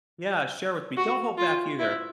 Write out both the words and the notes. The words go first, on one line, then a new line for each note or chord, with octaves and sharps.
yeah, share with me. Don't hold back either.
F#4
F4
E4